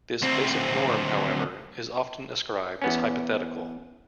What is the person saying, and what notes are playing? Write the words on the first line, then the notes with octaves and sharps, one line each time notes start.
This "basic norm", however, is often ascribed as hypothetical.
D2 C4
E2 B3 C#4